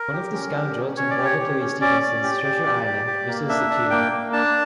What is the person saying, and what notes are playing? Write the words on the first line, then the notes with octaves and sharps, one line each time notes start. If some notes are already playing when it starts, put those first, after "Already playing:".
One of the scoundrels in Robert Louis Stevenson's "Treasure Island" whistles the tune.
Already playing: A#4
G4
C#4
G4
C#4
C#4 C#5
D5
G4
C#5
G4
C#4
C#4 D5
C#4
G4
G4
G4
G4
G4
A#3
D4 E5
D4
A#3 G5
A#3
D4 A5